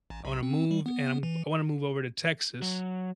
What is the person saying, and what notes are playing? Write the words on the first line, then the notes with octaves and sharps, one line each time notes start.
I wanna move and I'm I wanna move over to Texas,
A1
B1
C4
G3
B3
E3
F#3